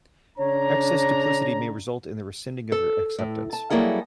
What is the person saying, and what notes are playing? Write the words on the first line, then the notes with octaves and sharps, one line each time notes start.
Excess duplicity may result in the rescinding of your acceptance.
C#3 D4 C#5 A#5
A4
A2
A5
F#3 G3 A#3 E4 G#4 A4